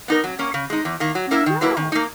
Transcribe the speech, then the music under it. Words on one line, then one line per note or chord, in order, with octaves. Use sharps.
Uh, no.
B3 D#4 A#4
F#3
A#3 C#4
C#3
G#3 D#4
E2
D#3 A#3
F#3
A#3 E4 A#4 E5
D#3
F#3 A#3 E4 B4
D#3
A#3 D#4